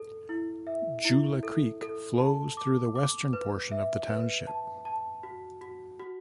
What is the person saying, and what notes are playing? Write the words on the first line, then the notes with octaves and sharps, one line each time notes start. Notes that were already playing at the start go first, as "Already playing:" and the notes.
Joula Creek flows through the western portion of the township.
Already playing: A4
E4
E5
E4
A4
A4
A5
D6
D6
B4
E5
B4
A5
A5
F#4
F#4
F#4